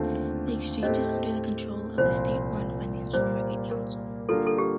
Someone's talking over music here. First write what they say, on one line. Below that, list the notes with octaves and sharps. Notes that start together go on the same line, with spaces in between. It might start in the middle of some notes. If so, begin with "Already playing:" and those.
The exchange is under the control of the state-run Financial Market Council.
Already playing: D#2 D3 A3 C4 F4
A2 A3 C4 G4 C5 D#5
C2 A#2 F3 C4 C5
A#2 G3 A#3 C5
A#4
D3 G3 A#3 F4 A4
A4
G4